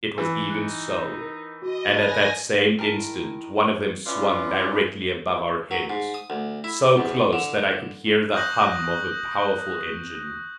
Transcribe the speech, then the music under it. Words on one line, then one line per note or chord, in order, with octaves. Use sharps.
It was even so; and at that same instant one of them swung directly above our heads, so close that I could hear the hum of a powerful engine.
E3 E6
D#4 F#6 C#7
A#4
F#4 D#5
B4 D5 G#5 A5 A#6 F7
D#3 E4 A#4 A5
C#4 E4 F4 B4 D5
F#3
G#2
D#6
D2
E4
E2
D3
C#6 D#6 F#6 G6 A#6 F#7